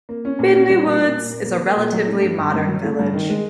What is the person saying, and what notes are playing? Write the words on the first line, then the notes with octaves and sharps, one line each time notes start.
Binley Woods is a relatively modern village.
A#3
C#4
A#2
C#4
G3
A#2
A#2
A#2
A#3
A#3
A#3
A#2
F#3
A3
G2
G2
G2
F#3
A3
G2
D#3
G#3